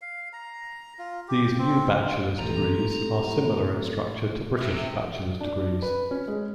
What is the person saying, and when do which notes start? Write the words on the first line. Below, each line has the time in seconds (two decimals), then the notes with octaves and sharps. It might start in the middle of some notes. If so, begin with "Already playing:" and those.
These new bachelor's degrees are similar in structure to British bachelor's degrees.
0.01 F5
0.33 A#5
0.98 F4
1.28 G4
1.44 G5
1.58 C4
2.39 A#1 A2 E3 C4 G4 A4 A#5
2.72 A2
4.61 C3
5.41 D4
5.82 B4
6.11 C#4
6.28 G#3